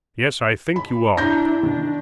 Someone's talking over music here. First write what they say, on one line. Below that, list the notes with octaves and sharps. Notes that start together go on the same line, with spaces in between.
'Yes, I think you are.
B5
D4 E4 A#5 G6 A#6
D#3 D4